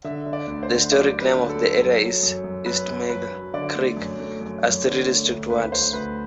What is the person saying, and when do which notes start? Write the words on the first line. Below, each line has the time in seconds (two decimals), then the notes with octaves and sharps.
The historic name of the area is "East Mill Creek", as three distinct words.
0.04 D3 E5
0.26 D3
0.33 D5
0.47 D2
0.63 C5
0.70 D3
0.92 F#3 D5
1.14 F#3
1.20 B4
1.35 D3
1.49 A4
1.57 F#3
1.79 F#2
2.00 F#3
2.23 F#2
2.44 F#2
2.66 F#2 B4
2.88 F#2
3.09 F#2 B4
3.31 F#3
3.54 D3 D5
3.76 A3
3.97 F#2
4.19 A3
4.41 F#2
4.63 F#2
4.85 D3
5.06 A3
5.28 D2
5.50 D2 B4
5.72 D2 C5
5.93 D2 B4